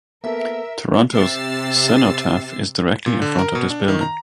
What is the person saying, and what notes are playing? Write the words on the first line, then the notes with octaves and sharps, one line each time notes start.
Toronto's Cenotaph is directly in front of this building.
A#3 B3 A4 A#4 E5
C3 E6 A6 C7
A#2
D3
A#4
B2
D4
D#3
A#5